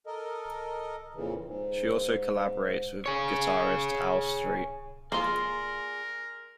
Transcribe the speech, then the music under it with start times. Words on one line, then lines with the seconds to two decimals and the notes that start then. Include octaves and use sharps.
She also collaborates with guitarist Al Street.
0.07 A4 A#4 D#5
1.15 F2 A#2 C#3 E3
1.44 G#2
3.06 G#4 C#5
5.12 A#3 F4 G#4 A#4 D5 C6